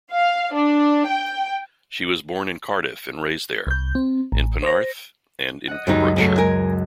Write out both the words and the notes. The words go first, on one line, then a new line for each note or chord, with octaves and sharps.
She was born in Cardiff and raised there, in Penarth, and in Pembrokeshire.
F5
D4
G5
C2 G6
C4
A1
C5 A#6
D#5 F#5
C#2 F#2 F#3 G3 D#4
C#3 F#3 A3
G#3 A#4 G#5